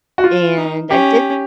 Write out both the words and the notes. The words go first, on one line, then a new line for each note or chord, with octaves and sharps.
And I did
F#4
F4
D#4
C#4 G4